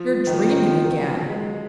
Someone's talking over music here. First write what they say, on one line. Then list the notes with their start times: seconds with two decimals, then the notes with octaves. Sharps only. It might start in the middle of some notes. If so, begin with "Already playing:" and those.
"You're dreaming again."
Already playing: F3
0.27 D#3
0.34 F3
0.50 D#3
0.66 F3
0.81 F#3
1.29 G#3